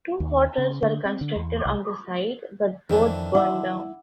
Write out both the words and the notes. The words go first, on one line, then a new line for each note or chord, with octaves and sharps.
Two hotels were constructed on the site, but both burned down.
D#2
C#3
D3
C4
D3
E2
C2
F2 D#3 E3 D4
E4 F#5 D6 E6